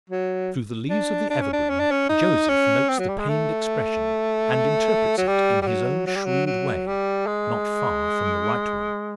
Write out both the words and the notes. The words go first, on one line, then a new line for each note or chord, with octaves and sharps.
Through the leaves of the evergreen Joseph notes the pained expression, and interprets it in his own shrewd way--not far from the right one.
F#3
D4
D4
C#4
D4
C#4
D4
C#4
D#4
C#4
C4
F#3
G3
G#3
A3
F#3
G3
G3
F#3
F#3
G3
F#3
F#3
G3
G#3